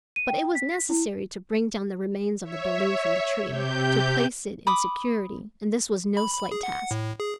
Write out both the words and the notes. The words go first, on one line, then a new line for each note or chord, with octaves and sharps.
But it was necessary to bring down the remains of the balloon from the tree, to place it in security, and this was no slight task.
D#7
G5
B6
E4
C#5 E5
C3 G4 G6
B5 D6 D#6
B5
B5
G#4
F#5
A2
G#4